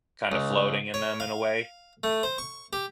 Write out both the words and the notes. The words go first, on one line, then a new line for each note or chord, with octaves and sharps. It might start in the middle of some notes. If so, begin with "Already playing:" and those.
kind of floating in them in a way.
C#2
C#5
F5
A3
C5
C#6
G4